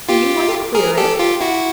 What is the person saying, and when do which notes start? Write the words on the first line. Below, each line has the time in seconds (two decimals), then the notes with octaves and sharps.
Do you want to queer it?
0.09 F4 G4
0.75 G#4 A#4
0.97 G4 A4
1.19 F4 G4
1.41 E4 F#4